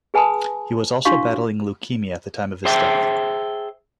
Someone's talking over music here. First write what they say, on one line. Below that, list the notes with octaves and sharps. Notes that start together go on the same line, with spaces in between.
He was also battling leukemia at the time of his death.
G#4 B4 G#5 A5 B5 D#6
D4 E4 F#4 F5 C6 C#6
G#4 C5 E5 G5 A5